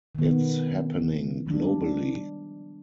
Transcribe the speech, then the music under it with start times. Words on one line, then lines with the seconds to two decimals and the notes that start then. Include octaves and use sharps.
It's happening globally.
0.15 D#3 B3
1.46 F3 G3 G#3 D4